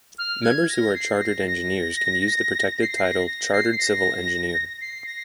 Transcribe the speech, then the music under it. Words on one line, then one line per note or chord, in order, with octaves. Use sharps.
Members who are Chartered Engineers can use the protected title Chartered Civil Engineer.
F6
G#6
A#6
C7
A#6
A#6
A#6
C7
A#6
C7
A#6
A#6
C7
C7
A#6
C7
A#6